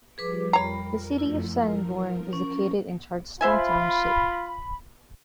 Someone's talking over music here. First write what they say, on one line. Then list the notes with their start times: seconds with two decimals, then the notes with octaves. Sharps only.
The city of Sanborn is located in Charlestown Township.
0.18 F3 G3 G#4 B4 D6
0.53 F2 G3 A#4 C#5 A#5 B5
1.18 F#2 F3 A3 E4
1.51 F3 A#4
2.33 C#4
3.41 F4 C5 E5 G#5 B5